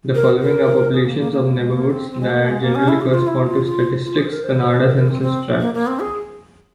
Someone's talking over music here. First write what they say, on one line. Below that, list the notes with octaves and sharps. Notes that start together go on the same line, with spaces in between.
The following are populations of neighbourhoods that generally correspond to Statistics Canada census tracts.
A#4
A#4
G#4
A#3
A#3
A#3
A#3
G#3
A#3
C4
C4
G#3
A#3
G#3
A#3
C#4
E4
G4
F4
E4
F4
F4
F4
G#4
C5
A#4
C5
A#4
A#4
C4
C4
A#3
A#3
C4
G#4